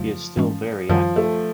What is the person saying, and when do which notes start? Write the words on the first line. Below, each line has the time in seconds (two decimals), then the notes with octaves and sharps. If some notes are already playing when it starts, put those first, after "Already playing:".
He is still very active.
Already playing: F2 C#3 F3 F#3 A3
0.37 G#2 E3 G#3 C#4
0.89 F#2 D#3 F3 G3
1.16 A3